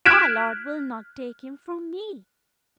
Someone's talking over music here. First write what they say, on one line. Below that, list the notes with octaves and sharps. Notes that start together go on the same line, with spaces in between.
"Our Lord will not take him from me!"
F6 F#6 G#6 B6 D7 E7